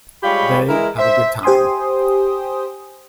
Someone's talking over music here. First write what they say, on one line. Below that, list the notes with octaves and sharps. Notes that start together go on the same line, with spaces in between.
They have a good time.
G3 G#3 F4 G4 C#5 B5
E3 G#3 E4 A#4
C5 E5
G4 C5 G5 G#5 C6 D#6